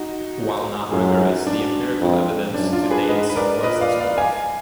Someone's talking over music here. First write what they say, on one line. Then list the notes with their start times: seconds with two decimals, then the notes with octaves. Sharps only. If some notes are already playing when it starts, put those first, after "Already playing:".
While not rigorous, the empirical evidence to date supports this belief.
Already playing: D#4 F#4
0.91 F#2 F4 G#4
1.19 D#4 F#4
1.47 D4
2.01 F2
2.54 F#2 D4
2.73 D4 F4
2.90 G#4 B4
3.09 G#2 B4 D#5
3.30 B4
3.36 A#4 D5
3.63 A#2 B4 D#5
3.81 D5 F5
4.00 D5 F5
4.18 F5 G#5